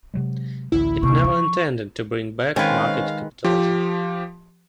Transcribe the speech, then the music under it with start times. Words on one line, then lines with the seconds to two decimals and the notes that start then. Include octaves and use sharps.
It never intended to bring back market capitalism.
0.14 C3 F#3 G#3
0.72 A1 D2 E4
1.03 C3 A#3 C#6
1.24 F3
2.56 D#3 G#3 C4 C#4 B4 F5
3.44 F3 G4